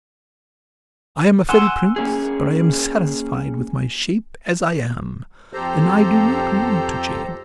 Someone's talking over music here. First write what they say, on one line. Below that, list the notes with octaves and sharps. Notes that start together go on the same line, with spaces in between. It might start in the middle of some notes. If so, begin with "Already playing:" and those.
I am a fairy prince, but I am satisfied with my shape as I am; and I do not want to change.
F#5 G#5 C6 E6
A#3 C#4 G#4
F2 G4 A4 C5 A#5